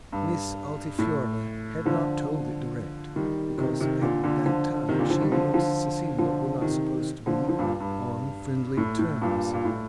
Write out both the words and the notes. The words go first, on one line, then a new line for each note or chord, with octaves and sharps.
Miss Altifiorla had not told it direct, because at that time she and Cecilia were not supposed to be on friendly terms.
G2
A2
D3 F3
D#3 G3
C3 D#3
C3 D#3
A#2 D3
A#2 D3
D3 F3
C3 D#3
A#2 D3
D3 F3
D#3 G3
D3 F3
D3 F3
D3 F3
C3 D#3
D3 F3
D3 F3
G2 A#2
G2
A2
A2
G2 A#2
A#2
A2